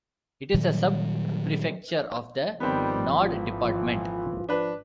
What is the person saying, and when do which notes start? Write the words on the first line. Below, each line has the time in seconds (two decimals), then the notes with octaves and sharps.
It is a sub-prefecture of the Nord department.
0.54 A#2 D#3 F#3 G3
2.60 G#1 D#3 F3 G3 B3 C4
3.13 A1 E3 F4
4.49 F3 D4 B4